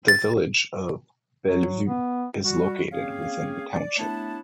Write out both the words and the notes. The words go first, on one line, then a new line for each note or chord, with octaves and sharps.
The Village of Bellevue is located within the township.
A6
F#3
B3
G3 F#4
A#3 C4 C#4 G#4 C#5 F5
D5
A3 B3 D4 E4 C#5 A5